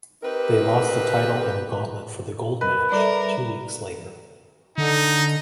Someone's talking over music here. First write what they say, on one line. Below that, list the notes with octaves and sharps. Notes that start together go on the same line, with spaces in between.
They lost the title in a Gauntlet for the Gold match two weeks later.
C4 D#4 G4 A#4 B4
A#4 B4 D#5
G3 A4 A#4 D5 E5
D3 D#4